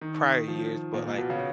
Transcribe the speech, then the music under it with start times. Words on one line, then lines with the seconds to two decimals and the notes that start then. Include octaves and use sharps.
prior years, but, like,
0.01 D#3
0.48 F3
0.94 A#2
1.06 A#2
1.18 B2
1.30 C#3